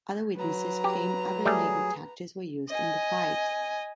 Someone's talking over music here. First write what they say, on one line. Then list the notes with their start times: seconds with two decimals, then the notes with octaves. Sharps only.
Other witnesses claimed other illegal tactics were used in the fight.
0.36 F#3 B4 A#5
0.84 G4
1.45 G3 A3 G#4
2.69 D#5 G#5